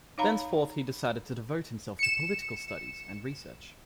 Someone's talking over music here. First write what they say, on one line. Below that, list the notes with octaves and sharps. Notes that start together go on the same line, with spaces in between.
Thenceforth he decided to devote himself to political studies and research.
D#4 C#5 F5 A#5 B5
C#7 E7